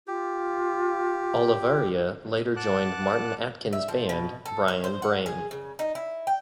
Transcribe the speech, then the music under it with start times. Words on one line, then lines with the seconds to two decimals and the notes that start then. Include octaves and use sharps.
Olavarria later joined Martin Atkins' band Brian Brain.
0.07 F4 G4
2.56 F#5 A5 D6 F#6
3.73 E5
3.88 F3
4.09 B2
4.46 A4
4.68 C#5
4.84 C5
5.02 F#5
5.26 G#4
5.51 C#3
5.79 D#4
5.95 E4
6.27 G5